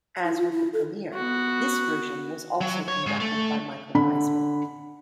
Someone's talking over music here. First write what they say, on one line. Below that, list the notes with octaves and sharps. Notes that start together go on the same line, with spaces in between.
As with the premiere, this version was also conducted by Michael Riesman.
E4
F4
E4
A4
B3 F#4
F#3
C#5
G#2
A3
D3 B5